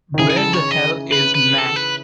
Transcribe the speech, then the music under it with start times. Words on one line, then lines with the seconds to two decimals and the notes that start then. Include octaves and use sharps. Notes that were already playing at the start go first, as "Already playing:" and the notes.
Where the Hell is Matt?
0.14 D#3
0.19 C#3 E3 G#4
0.30 G#4
0.36 A4
0.53 C#5
0.71 D#5
1.12 B4
1.35 B4
1.58 A4
1.76 B4